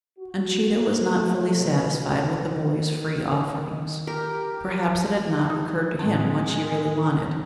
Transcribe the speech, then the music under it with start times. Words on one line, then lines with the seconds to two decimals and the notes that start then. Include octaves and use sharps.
Uncheedah was not fully satisfied with the boy's free offerings. Perhaps it had not occurred to him what she really wanted.
0.18 F#4
1.06 A3
1.54 B2
2.36 D#3
4.07 G4 A#4
5.50 D#4
5.99 A2 F#3 G#3 C4 A5